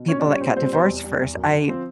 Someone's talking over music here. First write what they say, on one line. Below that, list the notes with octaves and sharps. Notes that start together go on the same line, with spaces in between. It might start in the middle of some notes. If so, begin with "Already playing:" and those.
people that got divorced first. I
Already playing: B2
A#2 C#4 C#5
D4 D5
G3
C#4 C#5
A#2 C4 C5
G3 C4 C5
B2 C4 C5
E2
G3
E2
F#2
D3
F3 C4 C5